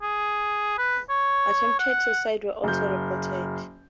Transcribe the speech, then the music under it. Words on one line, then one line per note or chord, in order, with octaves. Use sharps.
Attempted suicides were also reported.
G#4
B4
C#5
F#5
F#1 G6